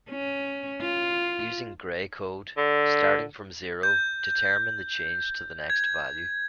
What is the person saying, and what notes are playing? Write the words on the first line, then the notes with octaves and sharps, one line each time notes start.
Using Gray code, starting from zero, determine the change to the next value.
C#4
F4
D3
G6
G#6